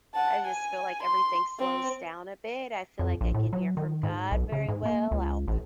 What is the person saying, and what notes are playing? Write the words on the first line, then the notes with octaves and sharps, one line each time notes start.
I just feel like everything slows down a bit, I feel like I can hear from God very well, I'll
F#5 A5
G#5
C6
C4
F2
A#1
A2
F#3
D#3
G#2
B1
C#3
G#2
A#3
C#2
A1